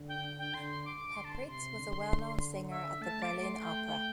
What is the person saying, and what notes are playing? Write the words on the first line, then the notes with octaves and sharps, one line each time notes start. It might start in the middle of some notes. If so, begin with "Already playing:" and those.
Pappritz was a well-known singer at the Berlin Opera.
Already playing: D3
G5
G5
D3 C6
D6
D3 C6
A5
C6
C3 C6
D3
E5
A3 A5
D6
A3
C6
G5
G5